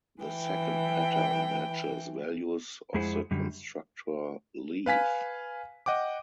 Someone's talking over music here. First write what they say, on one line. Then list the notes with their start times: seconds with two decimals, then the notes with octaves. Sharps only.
The second pattern matches values of the constructor "Leaf".
0.21 E3 G5
2.94 F2 G#3 E4 G#4 C5 F#5
3.31 F#2 D3 G3
4.86 B4 F5 G#5 B6
5.86 D#5 F#5 G5 D6